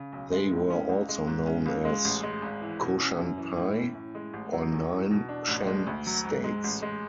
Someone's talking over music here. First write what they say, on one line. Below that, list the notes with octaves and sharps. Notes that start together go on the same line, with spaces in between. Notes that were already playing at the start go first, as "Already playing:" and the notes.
They were also known as "Koshanpye" or "Nine Shan States".
Already playing: C#3
B1
G#3
A2
C#4
C#2
G#3
G#2
C#4
C#2
G#3
A1
G#3
G#1
E3
B2
C#4
F#2
E3
A2
C#4
A2
G#3
A1
F#3
E2
E3
B2
D4
A1
G#3
D2
F#3
G#2
G#3
A1
G#3